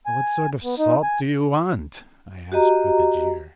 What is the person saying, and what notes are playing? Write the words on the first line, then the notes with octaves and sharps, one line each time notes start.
"What sort of salt do you want?" I asked with a jeer.
G#5
B3
D#4
G#5
F#4 G4 D#5 A#5